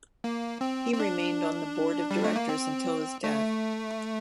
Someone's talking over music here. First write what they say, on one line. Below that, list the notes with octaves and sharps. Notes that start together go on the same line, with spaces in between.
He remained on the board of directors until his death.
A#3
C4
C4
D4
G3
A3
A#3
C4
A3